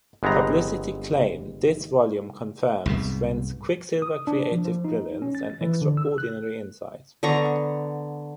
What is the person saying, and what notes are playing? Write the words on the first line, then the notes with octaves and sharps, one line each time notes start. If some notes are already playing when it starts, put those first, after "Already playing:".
Publicity claimed this volume confirms Friend's quicksilver creative brilliance and extraordinary insight.
G1 G#3 B3 C4 A#5
C2 G#2 B2
D#6
D4
F3
F3
D#4
C#4
A6
A6
E3
D3
E6
F#6
D3 B3 A#5 C#6